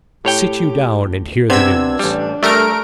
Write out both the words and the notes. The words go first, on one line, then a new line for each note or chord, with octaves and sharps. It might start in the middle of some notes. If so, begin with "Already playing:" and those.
Sit you down and hear the news.
A2 G4 C#5 G5
C3 B3 C4 D4 E6 G#6
A1 G3
G3 A3 A#4 D7